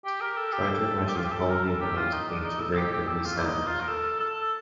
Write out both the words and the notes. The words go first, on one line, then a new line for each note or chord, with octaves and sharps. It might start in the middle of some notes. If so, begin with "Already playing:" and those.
Try to imagine the whole universe beginning to ring and resound.
G4
A#4
A4
G4
A4
A4
G4
F4
G4
A4
A#4
A4
G4
F4
D#4
D4
D#4
A4
A4
G4
G4
A4
F4
D4
D#4
F4
A#4
A4
A4